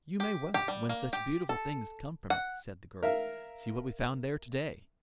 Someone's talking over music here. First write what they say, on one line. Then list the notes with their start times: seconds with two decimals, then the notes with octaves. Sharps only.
"You may well, when such beautiful things come from it," said the girl. "See what we found there to-day."
0.20 G4
0.54 G4
0.68 G3
0.89 A#3
1.13 G4
1.49 A4
2.30 F#5
3.03 A#4 E5 F5